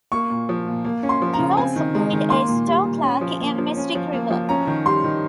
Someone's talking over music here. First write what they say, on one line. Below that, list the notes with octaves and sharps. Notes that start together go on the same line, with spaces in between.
He also played a store clerk in "Mystic River".
A#3 C#6
A#2
F3
A#2
A#3
C#4
C6
F3
A#5
C#3
C4 G#5
D#3
G#3
D#3
A#3 C6
A#2
G3
A#2
C#4
F3
A#3
F3
C#4
F3
A#3
F3
C#4 A#5
D#3
G3 C6
D#3